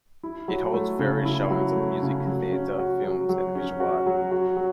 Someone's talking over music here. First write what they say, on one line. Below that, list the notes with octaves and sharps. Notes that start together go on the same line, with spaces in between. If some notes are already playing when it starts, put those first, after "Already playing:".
It holds various showings of music, theatre, films and visual art.
E4
F#3
A3
C#3
E4
F#3
A3
C#3
F#3
C#4
F#4
F#3
F#3
C#4
F#4
F#3
F#4
F#3